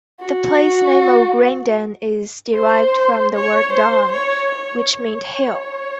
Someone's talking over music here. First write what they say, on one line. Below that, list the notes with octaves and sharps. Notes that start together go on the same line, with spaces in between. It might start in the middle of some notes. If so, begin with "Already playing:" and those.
The place name of "Grindon" is derived from the word 'dun', which meant hill.
F#4
C5
C#5
C5
C#5
C#5
C#5